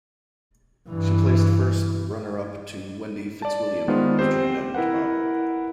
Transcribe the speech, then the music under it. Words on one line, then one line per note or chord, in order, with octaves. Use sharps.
She placed first runner-up to Wendy Fitzwilliam of Trinidad and Tobago.
G2 E3
D5 A5
D#3 G#3 B3 F4 C5
C4 G4 C5
E4 A#4 B4 F#5